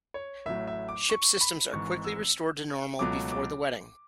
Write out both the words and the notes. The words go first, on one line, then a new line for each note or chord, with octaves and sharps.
Ship systems are quickly restored to normal before the wedding.
C#5
A1 A2 F#3 E5
E5
D6
C#6
B5
G#1 G#2 E3 C#6
E6
C#2 B2 F#3 A3 D6
D6